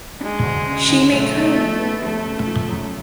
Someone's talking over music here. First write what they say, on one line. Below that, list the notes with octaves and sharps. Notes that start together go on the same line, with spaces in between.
She may come!
G#3 D4
D2
C#3
D2
B1 A3
A2
F3
B3
F1 A3
C#3
F3
F#2